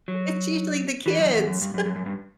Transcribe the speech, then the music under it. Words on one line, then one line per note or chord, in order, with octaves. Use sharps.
It's usually the kids.
F#3
E3
F#2
E2
F#2
G2
F#2
F#2
F#2
G2